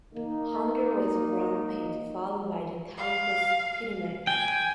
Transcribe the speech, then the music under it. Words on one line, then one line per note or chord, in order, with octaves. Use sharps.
Hunger was rampant, followed by the typhus epidemic.
A#3 D#4
F5
G5 G#5